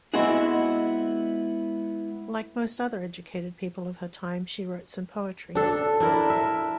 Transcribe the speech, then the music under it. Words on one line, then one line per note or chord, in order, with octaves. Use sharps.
Like most other educated people of her time, she wrote some poetry.
G#3 B3 C4 E4 F#4 G#4
D4 A4
D4 E4 A#4
E5